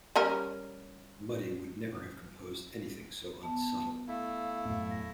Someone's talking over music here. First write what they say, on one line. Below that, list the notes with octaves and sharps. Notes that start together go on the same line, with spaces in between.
Muddy would never have composed anything so unsubtle.
G3 C#4 A#4
B3 A5
A3 E4 F5
F#2 A2
E2 A#6